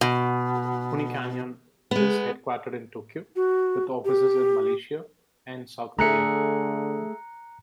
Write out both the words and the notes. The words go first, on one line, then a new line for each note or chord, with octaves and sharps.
Pony Canyon is headquartered in Tokyo with offices in Malaysia and South Korea.
B2
G#3 B3
F#4
G4
D3 A3 G#4 E5 A#5 F#6 C#7